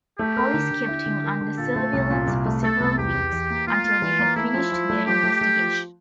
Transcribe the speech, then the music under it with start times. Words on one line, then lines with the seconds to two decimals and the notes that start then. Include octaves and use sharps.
Police kept him under surveillance for several weeks, until they had finished their investigation.
0.19 A3 G4
0.37 A#4
0.54 D3
0.71 D3
0.88 E4
1.06 D3
1.24 A#4
1.41 D3
1.58 A#2 A4
1.76 A3
1.93 C2
2.11 A#2
2.28 C2
2.46 A3
2.63 A3 A4
2.80 C2
2.97 E2 G4
3.15 E2
3.33 E3
3.50 A#3
3.67 A#3 F4
3.84 A#3
4.02 E3
4.19 A#3
4.36 A3 E4
4.54 F3
4.72 F3
4.90 A3
5.06 F3 G4
5.24 A3
5.41 A3
5.59 F3